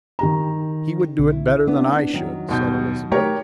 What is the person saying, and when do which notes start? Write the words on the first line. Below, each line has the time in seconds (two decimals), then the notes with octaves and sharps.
"He would do it better than I should," said Elizabeth.
0.19 D#3 G4 A#5
1.19 B1 D3 C4
1.32 E4
1.67 B3 C#4 D4
2.13 D#3 F#3 F#4
2.49 D#2 B2 G6
3.12 A3 G4 A#4 C#5